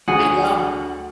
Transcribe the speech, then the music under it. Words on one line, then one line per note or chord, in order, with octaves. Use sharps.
I know.
D2 G#4 F#5